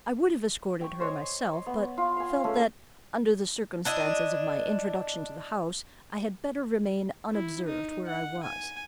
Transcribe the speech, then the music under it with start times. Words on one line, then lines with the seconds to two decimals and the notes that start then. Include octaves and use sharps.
I would have escorted her myself, but felt that, under the circumstances of my introduction to the house, I had better remain unobserved where I was.
0.81 G5 C#6
1.00 C5 C#5 D#5 G#5
1.66 B3
1.98 F4
2.16 F5 G#5
2.44 G#3 A3 C#4
3.85 D4 E4 D#5
7.32 E4
7.67 D#4
8.07 F#5
8.43 G#5